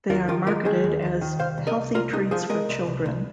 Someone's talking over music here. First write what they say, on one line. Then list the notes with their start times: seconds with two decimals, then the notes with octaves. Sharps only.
They are marketed as healthy treats for children.
0.10 D#2 F4 A#4
0.28 D#3 F4 A#4
0.47 G#3 F4 A#4
0.65 D#3 D#4 G#4
0.84 D#2
1.02 D#2
1.21 D#3
1.39 C2 C5 F5
1.58 C2
1.67 A#4 D#5
1.76 C2
1.95 C2 F4 A#4
2.13 C2 D#4 G#4
2.31 F3 G#4 C5
2.50 G#3 A#4 D#5
2.69 C2
2.87 C2
3.06 C2